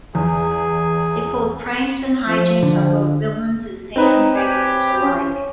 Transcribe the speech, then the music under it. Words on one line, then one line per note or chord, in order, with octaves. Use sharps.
They pulled pranks and hijinks on both villains and fan favorites alike.
E2 G#4
F3
D3
C4 D#4 B4 C#5
G4 G#5
C#4